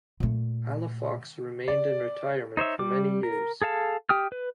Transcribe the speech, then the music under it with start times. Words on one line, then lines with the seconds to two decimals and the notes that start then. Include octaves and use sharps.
Palafox remained in retirement for many years.
0.20 A#2 A3
1.68 D5
2.57 D#4 C5 C#5 E5
2.79 G3 D6
3.23 A#4
3.62 G#4 A4 F5 A5
4.09 G4 G5 D#6 F6
4.32 B4